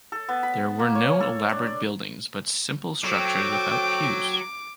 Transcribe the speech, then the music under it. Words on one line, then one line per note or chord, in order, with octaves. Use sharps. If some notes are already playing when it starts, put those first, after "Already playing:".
These were no elaborate buildings but simple structures without pews.
A4
B3
B5
A#3
C#5
A4
D4
D5
F#3 A4 C5 G5 D6